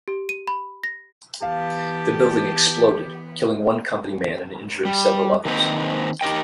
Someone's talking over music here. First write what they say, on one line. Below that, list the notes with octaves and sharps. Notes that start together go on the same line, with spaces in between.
The building exploded, killing one company man and injuring several others.
G4
D#7
B5
A#6
E3 B3 G4 F5 A5
G3
D#3 A#3 C4 B4 C5 D#5
D#4 G4 A#4 D#5 G5